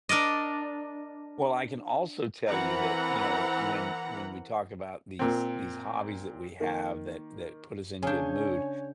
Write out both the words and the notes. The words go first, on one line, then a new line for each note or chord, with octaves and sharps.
Well, I can also tell you that, you know, when when we talk about these these hobbies that we have that that put us in good mood,
D4 A#4 D5 D#5
E3 C4 A#4 F#5 A#5 B5
A#2 C4
D#3 A#3
C#3 D4 C#5 G#5 G6